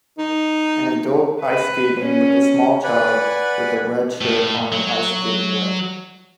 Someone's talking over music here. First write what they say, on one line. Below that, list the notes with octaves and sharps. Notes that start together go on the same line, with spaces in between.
An adult ice skating with a small child with a red shirt on an ice skating rink.
D#4
B4
C#4
B4 D5 F#5 G#5 B5
A2
F#3